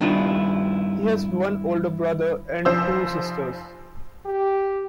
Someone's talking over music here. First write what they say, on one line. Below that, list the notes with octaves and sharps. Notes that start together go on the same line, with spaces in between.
He has one older brother and two sisters.
G2 D#3 D4 E4 F4
F1 F3 C5 E6
G4